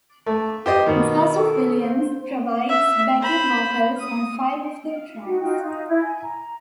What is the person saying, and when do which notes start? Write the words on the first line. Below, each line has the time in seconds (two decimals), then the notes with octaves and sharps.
Joseph Williams provides backing vocals on five of the tracks.
0.27 A3
0.66 G4 C5 D#5
0.86 B2 D#3 D#5
1.36 A4
1.79 C5
2.68 E5
3.21 C5 B5
3.99 D#6
5.26 D#4 F#4
5.40 D#4 F4 F#4 G5
5.62 D#4 F4
5.88 E4
6.02 G#5
6.23 A#5